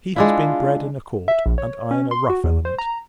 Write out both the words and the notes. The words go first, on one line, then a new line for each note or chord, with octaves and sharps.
He has been bred in a court, and I in a rough element.
G#3 D4 E4 F4
E5
A#1
C#5
C#4
C6
F#4
E2
C5
A#5